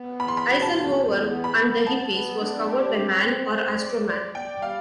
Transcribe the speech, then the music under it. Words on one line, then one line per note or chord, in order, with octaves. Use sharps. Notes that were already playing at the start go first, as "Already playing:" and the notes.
"Eisenhower and the Hippies" was covered by Man or Astro-man?
Already playing: B3
E2 B5
C6
B5
B2
A5
E2
E2
B3
B5
B3
B3 A5
B3
D4
G4
C4
C4
C4
D5
D5
D5 G5
G3 F5